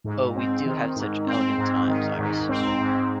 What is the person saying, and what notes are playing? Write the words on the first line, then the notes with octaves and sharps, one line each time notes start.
Oh, we do have such elegant times, Iris.
G#2
C4
D#3
G#2
C4
G#2
D#3
G#2
C4
G#2